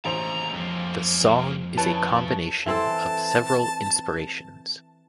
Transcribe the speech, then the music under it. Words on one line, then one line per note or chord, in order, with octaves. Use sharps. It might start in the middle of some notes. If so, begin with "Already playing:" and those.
The song is a combination of several inspirations.
A1 D#2 C#3 C5 A#5 F7
F2 G#2 A#3
C#3 E4 B4 C#5 A5
E3 C4 A4 A5